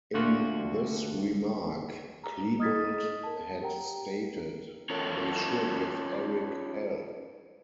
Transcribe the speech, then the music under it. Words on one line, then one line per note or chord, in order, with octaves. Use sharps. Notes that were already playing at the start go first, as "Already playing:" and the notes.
In this remark, Klebold had stated, They sure give Eric hell.
D2 D3 F4 F#4
A#5
D#5 D#6 F6 G#6 A6 B6
A#4 A5
G4 A#4 F#5 G5 A#5
C#4 F4 A4 A#4 C#5